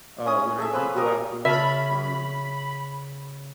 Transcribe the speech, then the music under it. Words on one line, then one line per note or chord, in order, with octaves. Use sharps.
uh, when I do go outdoors, um,
C#4 D#6
G#4 A4 E5
F3 B4 A5 B5
G3 A#4 D6 D#6
C#3 E5 A5 B5 F6